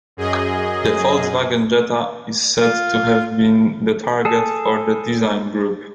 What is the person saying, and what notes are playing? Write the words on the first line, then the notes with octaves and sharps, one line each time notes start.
The Volkswagen Jetta is said to have been the target for the design group.
F#2 G#4 D#5
F4
G#4 A4